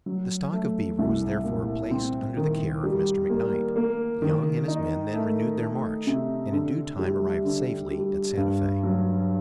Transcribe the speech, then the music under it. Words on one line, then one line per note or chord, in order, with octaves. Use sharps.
The stock of beaver was therefore placed under the care of Mr. McKnight. Young and his men then renewed their march, and in due time arrived safely at Santa Fe.
F#3
A3
C2
A#2
C4
D#3
G3
A#3
A#3
D#3
D#4
A3
A3
C3
D3
G3
D3
G3
G2
F#3